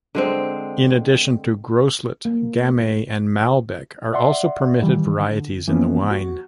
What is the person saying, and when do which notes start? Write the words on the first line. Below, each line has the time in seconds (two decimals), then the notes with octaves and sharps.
In addition to Groslet, Gamay and Malbec are also permitted varieties in the wine.
0.15 D3 G#3 C4
2.25 A#3
4.13 D5 E5 F#5 C6
4.82 D#3 E3 G3
5.20 D3
5.67 E3 F3 A#3 B3 C#4
6.11 F#4